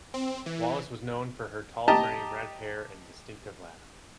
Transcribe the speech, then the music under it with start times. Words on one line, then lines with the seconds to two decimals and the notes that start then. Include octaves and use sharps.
Wallace was known for her tall frame, red hair, and distinctive laugh.
0.14 C4
0.46 E3
1.88 G4 D#5 A5 A#5